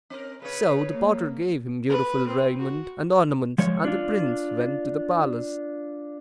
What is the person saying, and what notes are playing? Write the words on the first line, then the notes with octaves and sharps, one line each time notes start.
So the potter gave him beautiful raiment and ornaments, and the prince went to the palace.
C4 A#4
C#3 B4 C#5
A#3
B4
C4
F#4
F3 G#3 C#5
D4 F4